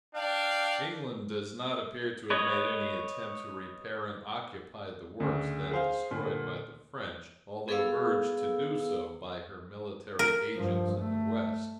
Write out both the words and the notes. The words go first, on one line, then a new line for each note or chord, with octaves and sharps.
England does not appear to have made any attempt to repair and occupy the works then destroyed by the French, although urged to do so by her military agents in the West.
D4 F5 G5
B4 C#5 D#5
D2 C#3
G#4 C5 F5
A#2 D3
B3 G#4 A4 B4 F5 E6
A#4
G2 F3
A3